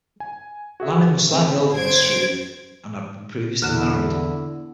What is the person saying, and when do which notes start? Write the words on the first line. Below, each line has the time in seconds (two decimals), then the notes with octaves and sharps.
Lanning was slightly older than Struve and had been previously married.
0.20 G#5
0.80 F#4 G#4 E5
1.29 A2 C#3 C4
1.74 G1 C5 G#6 D7
3.62 E2 D3 E4 F6 F#6 E7